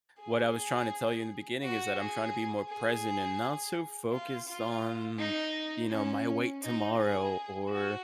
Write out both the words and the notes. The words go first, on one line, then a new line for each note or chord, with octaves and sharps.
what I was trying to tell you in the beginning is that I'm trying to be more present and not so focused on, you know, my weight tomorrow or,
G#4
F#4
G#4
G#4
F4
F4
D#4
C#4
D#4
G#4
F#4